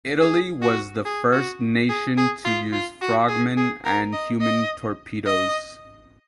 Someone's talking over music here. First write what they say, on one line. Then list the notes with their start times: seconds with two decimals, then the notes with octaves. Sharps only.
Italy was the first nation to use frogmen and human torpedoes.
0.20 G#4
0.62 F#4
1.05 G#4
1.33 F#4
1.89 G#4
2.17 G#4
2.45 F4
2.73 F4
3.02 F#4
3.29 G#4
3.57 G#4
3.85 A#4
4.13 D#5
4.41 D#5
5.26 D#5